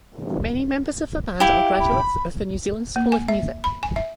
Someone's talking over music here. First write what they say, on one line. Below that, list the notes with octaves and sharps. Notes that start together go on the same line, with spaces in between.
Many members of the band are graduates of the New Zealand School of Music.
E4 G4 F5
B5
A#3
G#5
E5
B5
G#5
E5